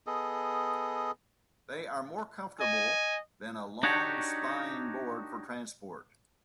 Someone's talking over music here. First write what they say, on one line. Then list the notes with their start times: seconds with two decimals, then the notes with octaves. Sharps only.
They are more comfortable than a long spine board for transport.
0.07 B3 G#4 A4 D#5
2.60 D#5 G#5
3.83 D4 D#4 F#4 G4 C#5